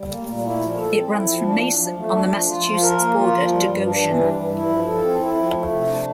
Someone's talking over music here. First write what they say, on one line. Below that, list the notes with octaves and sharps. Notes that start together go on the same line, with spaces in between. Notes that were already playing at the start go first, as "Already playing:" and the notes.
It runs from Mason on the Massachusetts border to Goshen.
Already playing: G3
A#3
A#2
E4
F3
A4
C4
E4
F3
D4
F3
F3
A3
D4
F3
F4
F3
A#4
A#3
F4
F3
G3
G2
D4
E3
G3
G2
E4
F3
A4
C4
E4
F3
A3
C3
D4